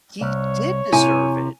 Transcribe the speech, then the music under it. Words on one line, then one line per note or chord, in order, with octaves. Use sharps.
He did deserve it.
C2 C#5
C3 E4 G#5